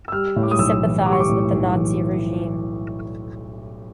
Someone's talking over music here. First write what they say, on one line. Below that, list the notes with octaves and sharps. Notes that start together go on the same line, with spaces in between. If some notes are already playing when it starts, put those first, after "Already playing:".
He sympathized with the Nazi regime.
E6
G3 F6
A2
D6
D#6
B1 E6
E3
G3 D6
C#6
D6
A2
B1
E3